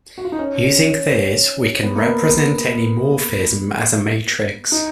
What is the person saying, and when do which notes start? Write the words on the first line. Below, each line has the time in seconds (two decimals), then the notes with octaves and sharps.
Using this, we can represent any morphism as a matrix.
0.18 F#4
0.25 F4
0.32 D#4
0.39 C#4
1.83 B3
1.95 A#3
2.07 B3
4.72 D#4